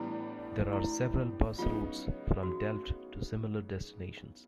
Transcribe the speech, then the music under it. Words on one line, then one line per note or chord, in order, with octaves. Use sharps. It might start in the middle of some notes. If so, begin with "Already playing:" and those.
There are several bus routes from Delft to similar destinations.
Already playing: A2 E3 G3 B3 D4 E4
E4
C#3 F#3 B3 D#4 F4
F#4